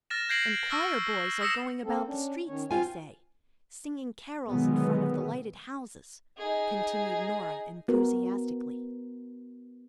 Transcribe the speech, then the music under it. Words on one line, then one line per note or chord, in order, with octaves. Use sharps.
"And choir-boys are going about the streets, they say, singing carols in front of the lighted houses," continued Norah enthusiastically.
F6 A6 A#6 E7
G6 G#6 A#6 C7 D7 F#7
C#6 E6 F6 A#6
D#6 E6 A#6 C7 C#7 E7
A#3 C4 A4
C#4 D4
D#3 C#4 C#5
C4 F4 F5 G5 G#5
B2 D3 D#3 F#3 G#3 B3
D#4 G#4
B3 F#4 A#4